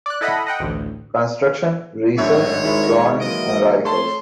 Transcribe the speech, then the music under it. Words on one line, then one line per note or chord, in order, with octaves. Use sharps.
Construction, Research, Droning and Rifles.
D5 F#6
E4 A4 D#5 F#5 B5
D#5 F#5 G5
A1 D2
G#1 F#2 A2 D4 C#5 E5
D#3 G#3 E4
E3 F#3 A#3 D#5 D7
A3 C#5 A5 C6